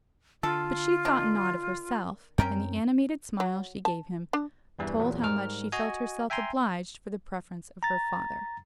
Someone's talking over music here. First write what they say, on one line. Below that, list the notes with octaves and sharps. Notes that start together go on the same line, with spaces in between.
But she thought not of herself, and the animated smile she gave him, told how much she felt herself obliged for the preference of her father.
D3 F4 A4
D#3 D4
F#2 C4 C#4 A#4 G5
F#3
A5
D4
E2 G2 E3 G3
E2 A#2 F#3
G#2 G3 A#4 F6
F#4 D#5 G#5
E5 G5 G#5 A#5 C6
A#5 A6